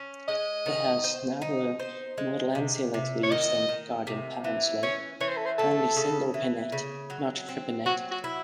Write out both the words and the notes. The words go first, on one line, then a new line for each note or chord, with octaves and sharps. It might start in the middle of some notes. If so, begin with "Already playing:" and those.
It has narrower, more lanceolate leaves than garden parsley, only single pinnate, not tripinnate.
Already playing: C#4
G#3 D#5
D#3
C5
D#4
C5
G#3
C3
C3
C#5
D#3 D#5
D#3
C3
E3
C#4 C#5
E3 C#5
C5
A4
C5
A3 A4
C#3
E3
C#3
F#3
C4
F#3 F#4
F#4
E4